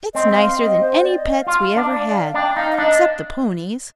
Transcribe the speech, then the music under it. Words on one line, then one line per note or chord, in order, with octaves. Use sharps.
It's nicer than any pets we ever had, except the ponies.
C4 D#5
D#5
F5
D#5
C5
D5
D#5
F5
F4 F5
D4
D5
F5
D4 G5
D#4 F5
F5
D4 D#5